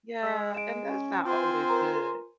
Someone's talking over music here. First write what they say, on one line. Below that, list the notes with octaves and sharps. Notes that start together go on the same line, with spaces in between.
Yeah, and that's not always good.
G#3 E6 B6
D7 E7
C#4
C4 F4 C5 G#5
A#4 B4 A#5